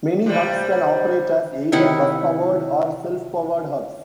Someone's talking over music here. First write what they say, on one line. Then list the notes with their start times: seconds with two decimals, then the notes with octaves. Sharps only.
Many hubs can operate as either bus powered or self powered hubs.
0.26 C3 G3
1.72 C3 D#3 E4 F#5